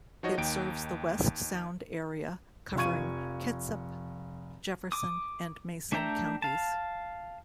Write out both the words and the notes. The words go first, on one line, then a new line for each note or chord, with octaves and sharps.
It serves the West Sound area covering Kitsap, Jefferson, and Mason counties.
F3 D#4 F#4 C#5 D#5
D#2 D#4 G5 D7
F1 F3 F5 C#6 G#6 D#7
D6 D#6
A3 D4 E5 G5 A#5
F5 A5